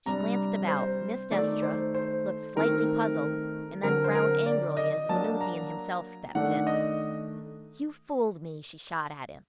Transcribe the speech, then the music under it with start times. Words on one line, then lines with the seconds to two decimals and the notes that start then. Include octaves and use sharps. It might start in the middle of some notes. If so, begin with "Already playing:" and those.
She glanced about, missed Estra, looked slightly puzzled, and then frowned angrily as the Venusian himself stepped in: "You fooled me!" she shot at him.
0.06 C3 G3 D4 A#5
0.68 C5
1.31 D#3 A3 D#4 D5
1.62 C5
1.95 C5
2.57 D#3 A3 C4 D#4 A#4
3.83 D3 F#3 C4 A#4
4.04 C5
4.15 A#4
4.46 D5
4.77 D#5
5.09 F#3 A#3 D4 A5
5.41 A#5
6.35 D#3 A3 D4 F#5
6.67 D#5